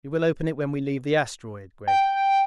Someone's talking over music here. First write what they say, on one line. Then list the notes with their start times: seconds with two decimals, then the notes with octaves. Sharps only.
We will open it when we leave the asteroid, Gregg.
1.88 G5